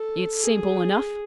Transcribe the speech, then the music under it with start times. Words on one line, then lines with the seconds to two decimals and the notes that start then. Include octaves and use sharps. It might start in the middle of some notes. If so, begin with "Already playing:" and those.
It's simple enough.
Already playing: A4
0.43 G#4